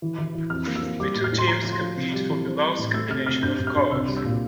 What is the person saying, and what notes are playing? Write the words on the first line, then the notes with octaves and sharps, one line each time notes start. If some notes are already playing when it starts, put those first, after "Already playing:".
The two teams compete for the lowest combination of cards.
E3
E3
E3
F2 F6
A#3
E6
A#3
G3 D6
A2
F6
A2
C6
F3 A#5
F3
C6
F3
C3
G3
E3
C4
G3
A2
A3 E6
C3 F6
C3 F6
G2 G6
G2
F6
G2
C2 E6
G3
E6
A#2